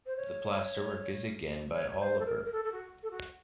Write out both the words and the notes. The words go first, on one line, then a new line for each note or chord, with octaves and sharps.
The plasterwork is again by Oliver.
C5
C#5
C#5
C#5
C5
A4
A#4
A#4
A4
A4
F#4
A4
F#4